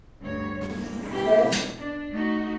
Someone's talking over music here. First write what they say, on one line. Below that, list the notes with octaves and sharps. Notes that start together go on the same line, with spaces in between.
The band consists of members of the bands Happy Diving and Big Bite.
D2 G2 C#5
A#3
B2 E4 G4
B2
D4
A3 D#4 F#4